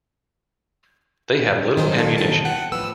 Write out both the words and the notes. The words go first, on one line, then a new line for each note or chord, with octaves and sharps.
They have little ammunition.
D#3 F#3 G#4 C5
F4 A4
B2 E3 A5
F#5 G5
A2 F3 B3 E6